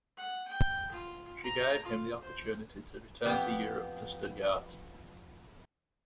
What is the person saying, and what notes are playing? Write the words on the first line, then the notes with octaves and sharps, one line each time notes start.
She gave him the opportunity to return to Europe to study art.
F#5
G5
F4
A#5
F4
C5
F2 B3 G4